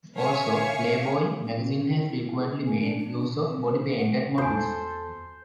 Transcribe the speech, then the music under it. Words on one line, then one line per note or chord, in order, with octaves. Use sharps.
Also "Playboy" magazine has frequently made use of body painted models.
C#5 E5 F5 G#5 C#6
C#4
E4
E4
G#4
G#5
D4
D4
D4
C4
C5
F#5
E2 F#4 A4 C5 G#5